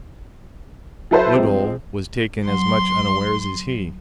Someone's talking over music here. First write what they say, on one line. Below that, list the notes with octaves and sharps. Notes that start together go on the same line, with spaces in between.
Woodhull was taken as much unawares as he.
F#3 E4 A4 B4 C5 E5
F3 G#3 C4
F#3 C6